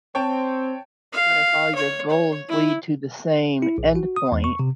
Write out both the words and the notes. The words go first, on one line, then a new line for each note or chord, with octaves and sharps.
But if all your goals lead to the same endpoint,
C4 C#5 G5 A5
F5
C#5
C#5
E4
E4
A#1
F#4
D#6
E2
C#6
C3